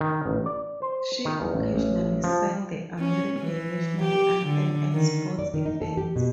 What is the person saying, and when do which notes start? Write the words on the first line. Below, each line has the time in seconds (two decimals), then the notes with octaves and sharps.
She occasionally sang the American national anthem at sports events.
0.01 D#3
0.26 A1
0.46 D5
0.82 C5
1.25 D#3
1.41 E2
1.54 A1
1.74 A1
2.24 F3
3.00 C#4
3.40 E3
4.02 G4
4.47 D3
4.94 D#3
5.39 D5
5.54 D#3
5.66 D#4
5.82 A4
5.97 G4
6.16 B2